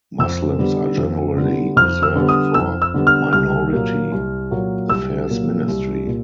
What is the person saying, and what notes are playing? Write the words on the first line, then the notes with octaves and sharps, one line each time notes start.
Muslims are generally reserved for minority affairs ministry.
F2 E6
D3 G3 B3
F2
D3 G3 B3
F2 F6
E6
D3 G3 B3
D#6
F2 E6
E6
D3 G3 B3
F6
C2 F6
A#2 F#3 A#3
C2
A#2 F#3 A#3
C2 E6
A#2 F#3 A#3
C2
A#2